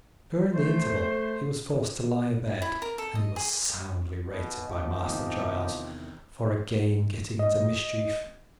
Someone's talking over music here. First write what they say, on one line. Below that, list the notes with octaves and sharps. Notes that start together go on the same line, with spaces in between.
During the interval he was forced to lie abed, and he was soundly rated by Master Giles for again getting into mischief.
A3 C5
E4
A#4
A4
D#5
G#4
B1 B2
F3 D#4 G4
E2 C3 D#3
D#5